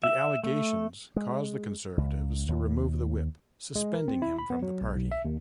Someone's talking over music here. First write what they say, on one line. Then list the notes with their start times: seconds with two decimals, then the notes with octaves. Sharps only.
The allegations caused the Conservatives to remove the whip, suspending him from the party.
0.04 E5
0.44 A3
1.16 G#3
1.97 C#2
2.49 D#2
3.75 G#3
3.94 A#4
4.08 C4
4.22 E4
4.39 B5
4.50 B3
4.62 F#3
4.81 B1
4.96 B1
5.12 E5
5.25 D#2